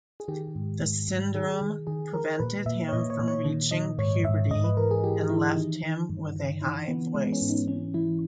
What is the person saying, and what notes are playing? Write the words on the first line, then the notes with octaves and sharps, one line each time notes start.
The syndrome prevented him from reaching puberty and left him with a high voice.
G#4
D#3 G4
G#2
G#2
G#2
D#3 G#4
D#3
D#3 G#4
D#3 A#4
A#2 B4
A#2 E5
C#5
A#2 D#5
C#5
A#2
C#5
D#3
D#3 D#5
G#2 C#5
G#2 E5
G#2 D#5
B4
E3 A#4
G#4
E3 G4
E3 E4
D#3 D#4
D#3
G2
D#3
E3 D#4
E3 B3
E3 G#3
B3
C#4
G#2
D#4
E3 C#4
E3 E4